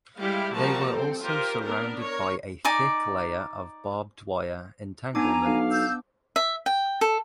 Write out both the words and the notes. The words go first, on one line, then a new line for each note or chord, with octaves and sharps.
They were also surrounded by a thick layer of barbed wire entanglements.
G3 G#3 E4 G4 F5
F3 G3 A#3 F#4 A5 A#5
C4 A4
F4 G4 A#4 C5
B3 D4 A#4
A#4 C#5
D#4 D5 G#5 D6
B3 D4 D#4 G#5 A#5 D6
B1 F5
E6 G6
E5
G5
A4